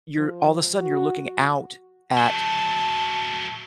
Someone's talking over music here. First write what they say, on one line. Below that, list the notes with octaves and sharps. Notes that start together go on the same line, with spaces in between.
you're all the sudden, you're looking out at
F3
F#4
F#3 A3 A5